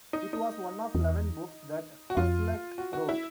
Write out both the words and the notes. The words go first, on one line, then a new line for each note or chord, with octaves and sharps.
It was one of eleven books that Hasluck wrote.
D#4
D#4
E2
F#4
F2 F4
F#4
F#4
E4